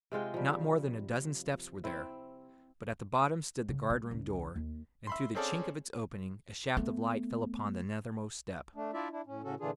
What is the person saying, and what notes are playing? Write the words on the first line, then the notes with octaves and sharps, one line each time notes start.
Not more than a dozen steps were there; but at the bottom stood the guardroom door, and through the chink of its opening a shaft of light fell upon the nethermost step.
C3 G#3 F4 G5
F3 G3
C4 E4
C#3
G#3
C#2
D#2
E5 B5 C6
C4 C#4 G#4 A4 D5 F5
A3 B3
A3 D4
D4 E4 F4 D5 E5
D4 E4
A2 C#4
A2 C#3 C#4 F#4 A4
A#2 D3 E3 D4 F4 G#4